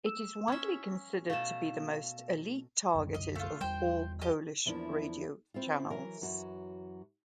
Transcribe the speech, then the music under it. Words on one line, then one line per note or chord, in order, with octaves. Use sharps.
It is widely considered to be the most elite-targeted of all Polish radio channels.
E6 E7
C#4 E5
B2 A3 F5 E7
C2 F#2 D3
D#5
A3 F4
E2 G3 C5 G5
G4 D#5
E2 F3 A#3 D4 E4
C4 E4 F4
E3 F#3 A#4
F#2 E3 F#3 F#4